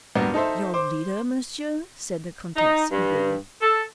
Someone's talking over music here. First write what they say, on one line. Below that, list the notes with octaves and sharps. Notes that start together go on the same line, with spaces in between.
"Your leader, Monsieur?" said the Comtesse, eagerly.
D1 G2 A#3 B3 A#4
D#4 A4 C5 E5
C5 D6
D#4
G2
A4